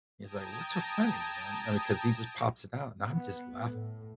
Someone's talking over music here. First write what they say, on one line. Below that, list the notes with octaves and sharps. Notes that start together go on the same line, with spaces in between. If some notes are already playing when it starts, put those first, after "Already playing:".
he's like, "What's so funny?" You know? I mean, 'cause he just pops it out, and I'm just laughing,
G5 A5 A#5 D#6 G#6
B3
A2